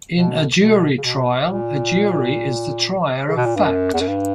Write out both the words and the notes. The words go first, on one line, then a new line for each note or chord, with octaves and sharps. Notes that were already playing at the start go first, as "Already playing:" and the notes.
In a jury trial, a jury is the trier of fact.
B2
B2
C#3
B2
A#2
C#3
B2
A#2
G2
F#2
E2
F#2
G2